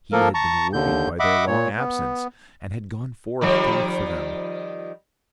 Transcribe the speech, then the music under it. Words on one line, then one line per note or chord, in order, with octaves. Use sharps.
He had been worried by their long absence and had gone forth to look for them.
F3 A#3 A4 A#4
A5 A#5 C#6
D#2 D3 G6
D#5 E5 F#5 B5 D6
A#2 C#5
B3
D#3 F3 G3